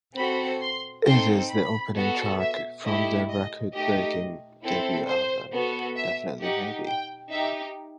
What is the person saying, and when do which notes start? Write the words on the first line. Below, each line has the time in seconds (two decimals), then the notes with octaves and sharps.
It is the opening track from their record breaking debut album, "Definitely Maybe".
0.16 C4 F#4 A4 B5
0.61 C6
1.05 C4 D#4 A4 C6
1.50 B5
1.95 B3 F#4 A4
2.40 E5
2.84 A3 E4 G4 D#5
3.28 D#5
3.74 A3 D#4 G4 D#5
4.63 C4 E4 A4
5.08 C5
5.52 B3 F#4 A4
5.97 E5
6.41 D#4 G4 F#5
6.87 G5
7.30 D#4 G4 E5